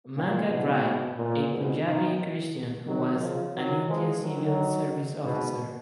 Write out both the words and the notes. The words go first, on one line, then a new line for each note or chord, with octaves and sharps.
Mangat Rai, a Punjabi Christian who was an Indian Civil Service officer.
A#2
G#2 B2
A#2
G#2 B2
B2 D#3
D#3 F#3
C#3 F3
D#3 F#3
F3 G#3
D#3 F#3
G#2 B2